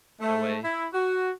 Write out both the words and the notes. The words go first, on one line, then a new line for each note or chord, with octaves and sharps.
in a way.
A3
E4
F#4